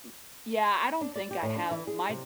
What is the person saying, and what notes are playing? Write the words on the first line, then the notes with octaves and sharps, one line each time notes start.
m Yeah, I don't think I have. My
D4
D5
G4
A2
D4
E3
G#4
C3